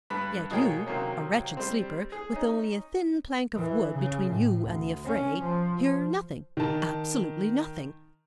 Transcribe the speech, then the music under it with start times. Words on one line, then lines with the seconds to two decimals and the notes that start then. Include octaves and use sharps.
Yet you, a wretched sleeper, with only a thin plank of wood between you and the affray, hear nothing, absolutely nothing.
0.10 G2 B4 B5
0.51 B2 G#3 A#3 G#4 C#5 G5
0.86 C3 D#3 F#3 A#3 C#4
1.57 G3 C4
2.12 G#4
2.33 C#4 D#4
3.55 E3
3.96 C#3
4.28 A2
4.64 D2
5.05 C#4
5.43 F3
5.79 F3
6.57 D#3 A5